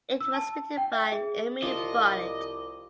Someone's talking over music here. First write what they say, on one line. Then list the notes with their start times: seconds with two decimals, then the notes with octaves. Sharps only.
It was written by Emery Bonnett.
0.21 E6
0.34 A5
0.77 G5
0.92 E5
1.12 G#4
1.62 C2 F3 D#5 D6